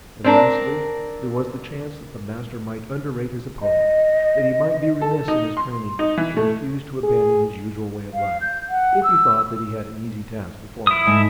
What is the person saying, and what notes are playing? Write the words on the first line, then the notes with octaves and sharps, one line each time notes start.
And, lastly, there was the chance that the Master might underrate his opponent, that he might be remiss in his training, and refuse to abandon his usual way of life, if he thought that he had an easy task before him.
C4 D4 A#4
D#5
A4
D#4
C6
D#4
E3
A3
G#4
F5
G6
F#5
E6
E4 D#6
G#2 G#3 A3